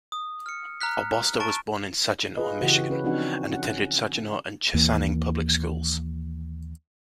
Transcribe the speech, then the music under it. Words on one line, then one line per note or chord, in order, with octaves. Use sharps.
Albosta was born in Saginaw, Michigan and attended Saginaw and Chesaning public schools.
D#6
F6 C#7
A#5 F6 F#6 B6
A5 A#5 C#6 A6 D7
F4 G#4 B4 D#5
C#3 E3 F#4 G4 F#5
C#4 B4
F3 C4 D4 D#4 F#4 F#5
C#4 F#5
D#2 E3 A#3